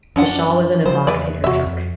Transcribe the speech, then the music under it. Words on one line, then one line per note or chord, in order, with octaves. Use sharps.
The shawl was in a box in her trunk.
F#2 C#4 D4 F#5
C#3 F3 F#3 C5
E2 B4 D5 E5
E2 C3 F#4 E5
F2